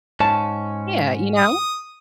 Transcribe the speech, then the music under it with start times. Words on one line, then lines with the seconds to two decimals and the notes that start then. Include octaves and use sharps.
Yeah, you know?
0.20 G#2 C#4 A5
1.36 D#6